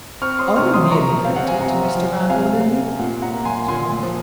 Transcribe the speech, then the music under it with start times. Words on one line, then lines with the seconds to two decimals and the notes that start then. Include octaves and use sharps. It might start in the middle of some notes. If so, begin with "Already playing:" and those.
"Are you nearly related to Mr. Randal Linley?" the Captain asked.
0.22 C4 C#6 F6
0.39 C6 D#6
0.56 C3 C#6 F6
0.74 C6 D#6
0.91 F3 A#5 C#6
1.25 C4 F5
1.36 F#5
1.48 G#5
1.60 C3 F#5 A#5
1.95 F3
2.29 C3 F5 G#5
2.65 C3
2.99 A#2 F#5
3.22 F#5 A#5
3.34 A#3
3.45 G#5 C6
3.68 A#2 G#5 C6
4.03 F3